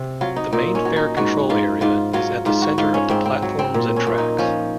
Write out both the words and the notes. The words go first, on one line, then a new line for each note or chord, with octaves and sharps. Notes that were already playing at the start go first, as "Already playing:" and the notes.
The main fare control area is at the center of the platforms and tracks.
Already playing: C3
F#3 F4
D#4
A#2 D#4
C#4
F#3
D#4
G#2 F#4
G#2 F4
G#2 F4
F#3 F4
G#2 F4
F#4
G#2 F4
C#4
G#2 C4
C4
F#3
C4
A#2
C#4
A#2
D#4
F3 C#4